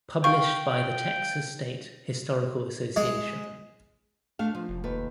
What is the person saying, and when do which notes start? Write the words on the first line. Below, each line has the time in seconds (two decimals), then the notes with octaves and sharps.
Published by the Texas State Historical Association.
0.24 F5 G5 C#6
2.96 G#3
4.39 A3 D4 F5
4.55 F3
4.69 F1
4.84 D#2 A4 B4